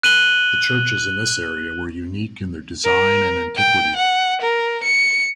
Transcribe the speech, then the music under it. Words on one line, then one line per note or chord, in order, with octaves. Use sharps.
The churches in this area were unique in their design and antiquity.
F#6 D#7 F#7 G7
A#4
G5
F#5
A#4
C#7